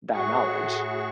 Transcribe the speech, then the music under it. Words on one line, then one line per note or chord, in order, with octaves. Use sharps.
that knowledge.
A2 F#4 G#4 C#6